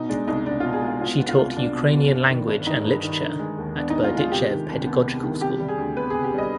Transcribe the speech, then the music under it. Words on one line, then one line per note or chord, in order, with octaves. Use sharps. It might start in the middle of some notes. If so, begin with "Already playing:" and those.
She taught Ukrainian language and literature at Berdichev Pedagogical School.
Already playing: B2 D#4
G#3 D4
C2 D#4
C2 D4
B2 F4
G#4
G#3
F4
B2 F4
B3
F4
C2
C2 D4
B2
B3
G2
D#3
G1
G3 D#4
G2
D#3
D3
G#3
D#2
B3 D4
D3 D#4
F4
G#3
F4
C3 G4
D#3
C2
B3
C3
D#3
C3 G4
G3
G#4
D2
B3 B4
C3 G#4
G4
G3 D#5